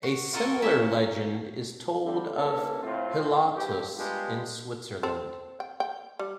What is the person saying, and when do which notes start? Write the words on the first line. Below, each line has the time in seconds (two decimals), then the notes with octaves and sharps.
A similar legend is told of Pilatus in Switzerland.
0.03 F#4
0.33 F4 F#4 A4 A#4 D#5
0.62 A#3 C#4 E5
2.04 D3 G3 C4
2.36 C2 A#3 B3 C#4 D4 A4
2.83 A2 C4 F4
3.56 A#1 G2 G4
3.96 G3 G#3 B3 D4 F4 G4
5.03 C4 A4
5.60 G5
5.80 G5
6.19 G3